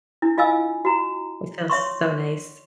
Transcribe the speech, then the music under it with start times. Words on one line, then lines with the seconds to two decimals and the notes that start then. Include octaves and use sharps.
It feels so nice.
0.22 D4 E4
0.38 F4 D#5 F5 G#5 E6
0.85 F#4 A#5
1.70 C#5 E5 C6 C#6